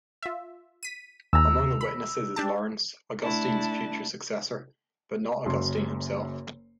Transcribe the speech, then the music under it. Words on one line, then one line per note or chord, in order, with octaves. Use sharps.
Among the witnesses is Laurence, Augustine's future successor, but not Augustine himself.
F4 E5
B6 D#7
D#2 A#5 E6
B5
D4 G4 A5
A3 D4 E4 A5
F#1 F#2 C6